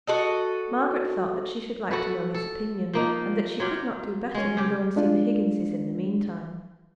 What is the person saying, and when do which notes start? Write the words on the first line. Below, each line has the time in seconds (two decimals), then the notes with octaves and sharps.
Margaret thought that she should like to know his opinion, and that she could not do better than go and see the Higginses in the meantime.
0.07 F#4 A4 D#5
1.91 F#4 A4 B4
2.34 A4
2.93 F3 A#3 D#4
3.60 F#3 F4 G4
4.35 G#3 C#4
4.57 C#3 G4
4.96 G#3 D4 F4